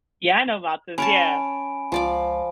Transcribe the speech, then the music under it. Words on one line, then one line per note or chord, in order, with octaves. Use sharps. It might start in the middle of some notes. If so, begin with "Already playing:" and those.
Yeah, I know Maltas, yeah.
C#4 C#5 G#5 A5 B5 D7
C#2 F3 D5 D6